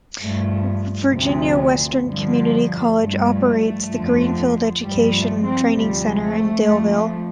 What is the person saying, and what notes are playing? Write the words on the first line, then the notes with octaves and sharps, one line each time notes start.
Virginia Western Community College operates the Greenfield Education and Training Center in Daleville.
G2 F3 A3
D2 C3 F3
G2 D3 F3
G2 F3 A3
F2 D3 F3
G2 F3 G3
A3
C4
D2 C3 F3 G3
A3
F2 F3 A3